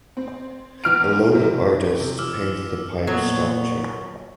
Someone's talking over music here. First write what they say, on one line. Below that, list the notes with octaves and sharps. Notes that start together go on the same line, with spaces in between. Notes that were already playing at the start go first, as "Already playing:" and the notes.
A local artist painted the pipe sculpture.
C4
E2 F6 D7
C3 F#3
E3
C3
E3 F3 D6 E6 F6
A#2 F#3 B3 C#5